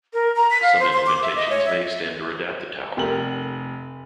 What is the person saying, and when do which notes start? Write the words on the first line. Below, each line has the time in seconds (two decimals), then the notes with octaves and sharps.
Some implementations may extend or adapt the tower.
0.13 A#4
0.36 A#5
0.51 B6
0.62 F5
0.79 C5
0.93 C6
1.06 D6
1.22 E5
1.36 D#5
1.50 C#5
1.66 E5
2.97 F1 G4 A#4 F#7